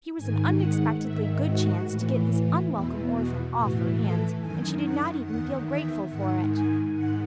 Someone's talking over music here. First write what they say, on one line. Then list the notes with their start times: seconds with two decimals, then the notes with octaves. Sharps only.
Here was an unexpectedly good chance to get this unwelcome orphan off her hands, and she did not even feel grateful for it.
0.17 G#2 D#3 G#5
0.59 F#5
1.01 G#2 D#3 E5
1.44 F#4
1.86 A2 E3
2.70 E2 B2 E4
3.12 F#4
3.55 A2 E3 F#4
3.97 A4
4.39 F#2 D#3 G#5
4.82 F#5
5.23 E2 D#3 F#5
5.66 E5
6.07 G#2 D#3 F#5
6.49 G#5
6.91 G#2 D#3 F#5